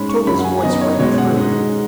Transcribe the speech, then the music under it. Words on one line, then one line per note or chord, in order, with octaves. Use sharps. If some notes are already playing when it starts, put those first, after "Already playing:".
Tode's voice rang true.
Already playing: G#2 G#3 C#4 B5
C#6
F#2 C#3 F#3 C#4 B5
F#5
G#5
F#2 D#3 B3 D#4 D#5
C#5
B2 G#3 C#4 C#5
F#5
G#2 G#3 D#4